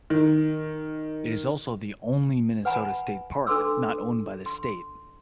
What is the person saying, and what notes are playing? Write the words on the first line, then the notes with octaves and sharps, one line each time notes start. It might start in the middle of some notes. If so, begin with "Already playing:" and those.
It is also the only Minnesota state park not owned by the state.
D#3
B4 F#5 G#5 A#5 B5
D4 A4 B4 C6 D6 E6
C6